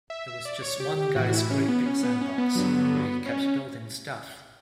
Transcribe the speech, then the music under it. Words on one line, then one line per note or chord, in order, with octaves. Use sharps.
It was just one guy's great big sandbox, where he kept building stuff.
E5
E5
D5
C#5
G4
G4
A2 E3 F#4
E4
C#4
B3
C#4
B3
C#4
B3
G2 D3 F#3
C#4